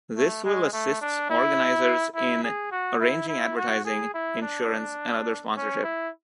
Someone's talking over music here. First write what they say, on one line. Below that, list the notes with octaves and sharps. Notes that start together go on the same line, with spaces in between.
This will assists organisers in arranging advertising, insurance and other sponsorship.
A3
G#3
A3
D4
E4
E4
G#4
F#4
E4
E4
F#4
G#4
E4
D4
C#4
E4